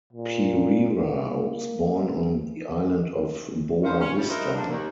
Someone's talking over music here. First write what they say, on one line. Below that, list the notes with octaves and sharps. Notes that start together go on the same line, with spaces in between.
Pereira was born on the island of Boa Vista.
A#2
A#3
G#2 C#4 D#4 C5 F5
C#4
A2 F3 G3
D#4 E4 F#4 A#4 C5 D#5
C3 G3 A#3 D4
D#2